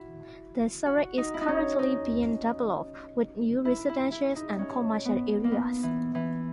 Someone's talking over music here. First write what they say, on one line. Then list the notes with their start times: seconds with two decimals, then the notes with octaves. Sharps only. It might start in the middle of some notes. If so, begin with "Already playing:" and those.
The suburb is currently being developed with new residential and commercial areas.
Already playing: E4 F#4
0.86 F#4
1.18 D#4
1.34 E4
1.41 D#4
1.48 C#4
1.79 D#4
3.65 E4
3.89 E4
4.12 E4
4.36 D#4
4.59 C#4
5.05 B3
5.44 A#3
5.51 B3
5.83 E3
6.15 E3